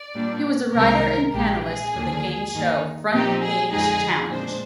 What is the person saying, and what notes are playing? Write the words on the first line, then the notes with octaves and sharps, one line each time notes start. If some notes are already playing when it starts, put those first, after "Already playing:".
He was a writer and panelist for the game show "Front Page Challenge".
Already playing: D5
A#2 G3 D4
C2 C3 D#3 G#3 A#4
A#1 A#2 G#3 D4 G4
G#4
D#2 D3 F3 A#3 D4
G2 D#3 A#3 D#4
A#2 F3 C4 D#4 G4
G#4
F2 D3 F3 G#3 D#4 G#4
A#2 G#3 D4 C5